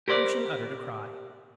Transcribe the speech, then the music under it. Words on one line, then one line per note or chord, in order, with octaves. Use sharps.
Lucian uttered a cry.
G4 A#4 C5 D5